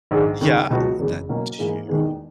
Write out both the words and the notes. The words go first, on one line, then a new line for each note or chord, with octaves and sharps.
Yeah, that too.
A#1 G#2 D#3 G#3
D#2 C#3 G#3
C#2 B2 F#3 B3 F#4
F#1 E2 C#3 G#3
B2 F#3 A#3 C#4
G#2 E3 A#3 D#4 G#4
E1 D#2 D#3 G#3 B3